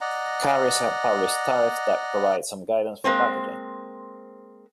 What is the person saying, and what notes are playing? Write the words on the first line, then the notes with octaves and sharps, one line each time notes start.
Carriers have published tariffs that provide some guidance for packaging.
D5 D#5 F#5 A#5
G#3 A#3 C4 C5